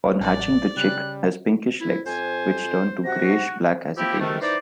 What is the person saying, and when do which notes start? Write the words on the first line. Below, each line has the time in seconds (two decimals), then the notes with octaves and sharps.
On hatching the chick has pinkish legs, which turn to greyish-black as it ages.
0.21 A1 D5 F#5 A5
0.77 C#3 G3 C#4 F#6
1.81 E4
2.06 F2 C5 G#5
3.04 C3 F#4 A#6
3.97 F3 A#3 C4 E4 G4
4.20 C3 D#3 G#3 A3
4.41 E3 D#4 C5 D5